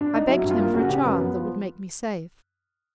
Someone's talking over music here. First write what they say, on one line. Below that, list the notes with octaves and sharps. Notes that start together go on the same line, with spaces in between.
I begged him for a charm that would make me safe.
D4
D#4
F#3 E4
G2
F4
A#3
C#3 F#4
C#3 G4
F#2 B4
B3
F3